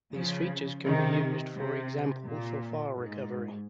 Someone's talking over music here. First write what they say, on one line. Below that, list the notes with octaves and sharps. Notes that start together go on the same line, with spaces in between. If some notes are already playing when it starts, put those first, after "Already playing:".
These features can be used for example for file recovery.
C#3 F3
C3 D#3
C3
A#2
G#2